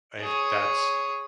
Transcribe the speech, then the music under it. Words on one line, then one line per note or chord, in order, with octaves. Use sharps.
If that's
G#4 C#5